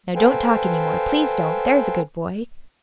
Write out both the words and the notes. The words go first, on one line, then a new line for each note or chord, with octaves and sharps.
Now don't talk any more--please don't; there's a good boy.
A4 B4 C5 F5 G5 G#5